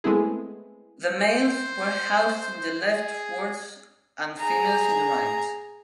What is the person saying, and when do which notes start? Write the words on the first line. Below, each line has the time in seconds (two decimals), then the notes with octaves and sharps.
The males were housed in the left wards and females in the right.
0.04 G#3 A3 B3 C4 E4 G#4
1.17 C5
2.82 G#4
4.40 G#4 A#5